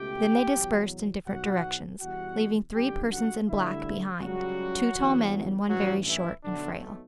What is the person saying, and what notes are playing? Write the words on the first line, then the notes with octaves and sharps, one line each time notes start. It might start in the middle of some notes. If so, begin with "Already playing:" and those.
Then they dispersed in different directions, leaving three persons in black behind, two tall men and one very short and frail.
Already playing: C#2 B2 A3 G4 G5
E2 B2 F#3
B1 B2 F#3 F#4 F#5
E2 B2 G3 F#4 F#5
F#2 D3 G3 G4 G5
F#4 F#5
D2 D3 G3 E4 E5
C#2 C#3 F#3 G3 F#4
E2 D3 F#3
A1 G2 E3 F#3 F#4
E3 E4
B1 B2 D3 F#3 A3 D4